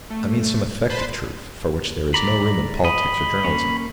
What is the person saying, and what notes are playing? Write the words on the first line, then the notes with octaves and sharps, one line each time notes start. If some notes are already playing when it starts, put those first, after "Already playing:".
I mean some effective truth, for which there is no room in politics or journalism.
A3
B4 C5 A5 B5 C6
D5 A#5 B5
D#5 B5
A#3 C#4